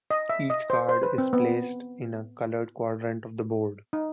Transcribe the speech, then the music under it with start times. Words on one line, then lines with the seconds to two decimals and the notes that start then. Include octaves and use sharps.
Each card is placed in a colored quadrant of the board.
0.11 D#5
0.29 E5
0.50 D#5
0.70 C5
0.89 C5
1.03 B4
1.18 C4
1.33 B3
3.93 D#4